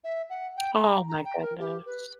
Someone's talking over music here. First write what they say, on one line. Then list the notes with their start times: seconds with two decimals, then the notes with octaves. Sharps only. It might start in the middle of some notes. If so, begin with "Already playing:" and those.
Oh, my goodness.
0.04 E5
0.30 F#5
0.56 G5
0.74 B5
0.81 A#5
1.08 A#5
1.25 G5
1.42 A#4
1.59 G4
1.86 B4